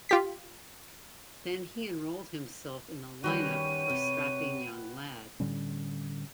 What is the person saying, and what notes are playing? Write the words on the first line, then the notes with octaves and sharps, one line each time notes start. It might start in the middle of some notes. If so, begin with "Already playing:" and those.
Then he enrolled himself in the lineup for Strapping Young Lad.
F4 G4 B6
D#3 G3 C#4 F#4 B4 C#5 G5 D#7
C3
A2 D3 G3 C#4